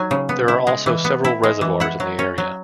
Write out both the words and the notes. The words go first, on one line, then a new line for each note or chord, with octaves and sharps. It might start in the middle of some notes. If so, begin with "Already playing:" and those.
There are also several reservoirs in the area.
Already playing: F#3 D#4 G#5
C#3
B3
E4
G#3
E3
B3
E4
G#3
E3
E4 F#5
F#3
C#4
F#3